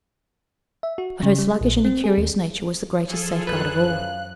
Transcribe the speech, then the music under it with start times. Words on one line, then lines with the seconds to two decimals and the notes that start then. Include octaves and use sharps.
But her sluggish and incurious nature was the greatest safeguard of all.
0.83 E5
0.98 F#4
1.23 C#3
1.39 G3
1.61 A#1
1.85 C4
2.04 G#4
2.17 D#2
3.09 F3 F4 G#4 A4
3.47 F#2 B4 F#6
3.83 F5